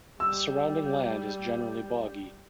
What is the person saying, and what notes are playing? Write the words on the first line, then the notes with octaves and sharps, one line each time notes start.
The surrounding land is generally boggy.
G3 E6